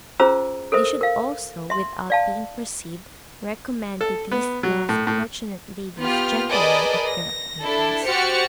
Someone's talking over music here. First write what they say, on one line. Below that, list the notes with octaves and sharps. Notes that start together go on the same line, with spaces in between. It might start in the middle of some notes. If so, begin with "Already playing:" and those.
They should also, without being perceived, recommend to these less fortunate ladies, gentlemen of their acquaintance.
C#4 F4 G#4 C5 A#5 E6
A4 A#4 C5 E5
A#4 F5
E5 C6
D5 F5 A5
A4
B3
F#3
A2
A2
B3 F4 G4 F6
G#4 A#4 B4 D5 D#5 A5
A#6
D4 E4 A4
F#4 G4 C5 F6 A6 C#7